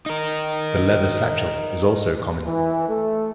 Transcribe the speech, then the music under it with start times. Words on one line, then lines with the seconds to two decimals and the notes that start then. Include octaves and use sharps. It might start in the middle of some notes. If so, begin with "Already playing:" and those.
The leather satchel is also common.
0.06 D#4 A#4
2.45 E3
2.88 A3